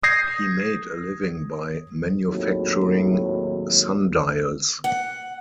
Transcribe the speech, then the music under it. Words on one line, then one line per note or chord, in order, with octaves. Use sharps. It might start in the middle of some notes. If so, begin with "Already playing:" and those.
He made a living by manufacturing sundials.
D#6 G6 G#6 A#6 C7
G#1 D#2 A2 F#3
F#5